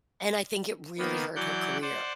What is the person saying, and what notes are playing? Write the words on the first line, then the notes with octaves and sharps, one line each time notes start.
And I think it really hurt her career.
D#3 A#3 B3
E3 F#3 D5 F#5 G6
C5 D5 F#5